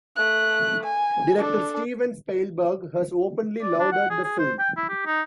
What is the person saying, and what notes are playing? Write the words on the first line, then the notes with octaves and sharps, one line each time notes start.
Director Steven Spielberg has openly lauded the film.
A3 F#6
G#5
D4 A4
D5
D4
F#5
G#4
G#4
C5
G5
E4
G4
D#4